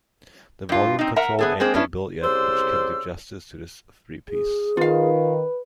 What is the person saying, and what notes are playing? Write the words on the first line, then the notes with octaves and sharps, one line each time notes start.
The volume control ain't been built yet which can do justice to this three-piece!
G2 F4
C4 D#4
A#4 E5 F#5 A#5
B3 G#4 A4
G#3 A#3 C4 G#4
B3 C#4 D4 E4
C2 C#3 C5 D5 C6 E6
G#4
D#3 F4 B4 F5